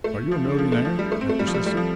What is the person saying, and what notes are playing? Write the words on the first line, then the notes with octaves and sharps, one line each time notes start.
"Are you a millionaire?" I persisted.
A3
F3
D3
F3
A3
F3
G3
A3
C4
A3
G3
F3
G3
G3
F3